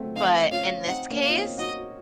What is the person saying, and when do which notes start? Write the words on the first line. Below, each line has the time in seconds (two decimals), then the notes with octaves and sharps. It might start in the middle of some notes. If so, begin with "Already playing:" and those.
But in this case,
Already playing: F#3 A3 C4
0.16 C4 D#4 F5
0.51 C#4 F4 F5
0.87 C4 D#4 F#5
1.10 A#3 C#4
1.23 F5
1.29 F4
1.34 C4 D#4
1.58 D#4 F#4 D#5